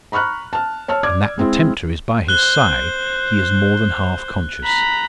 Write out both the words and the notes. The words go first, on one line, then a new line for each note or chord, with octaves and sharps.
And that the tempter is by his side he is more than half conscious.
A#5 B5 C#6 F6 F#6
A5 F6
C#5 A5 E6 F6
D5 D6 G#6
G#3 C4 E4
C5 F#6 G7
A#5 B5